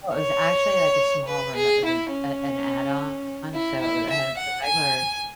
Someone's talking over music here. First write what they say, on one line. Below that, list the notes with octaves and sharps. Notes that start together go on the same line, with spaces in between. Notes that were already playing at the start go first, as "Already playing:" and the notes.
Oh, it was actually, like, a small room, it was an, uh an add-on, so it was it had just a regular,
C#5
B4
G#4
E4
C#4
E4
E4
E5
F#5
G#5